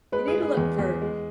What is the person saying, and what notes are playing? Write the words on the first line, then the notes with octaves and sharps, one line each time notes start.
you need to look for
G#3 B4
G#4
G#3
G#4
E2
E2
G#3